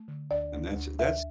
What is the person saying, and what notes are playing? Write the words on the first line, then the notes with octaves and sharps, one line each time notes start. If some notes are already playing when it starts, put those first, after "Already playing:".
And that's that's
Already playing: A3
D3
D2 D5
D2
D2
D2 E5